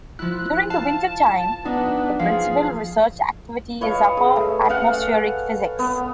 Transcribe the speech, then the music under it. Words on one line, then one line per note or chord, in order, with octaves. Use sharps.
During the winter time, the principal research activity is Upper Atmospheric Physics.
F3 E4 F#6
F5 A5
B3 D4 D#4
F3 G#4 F5
B4 C#5 D#5 F5
G#4
A3
A4 F5 F#5 G#5
B3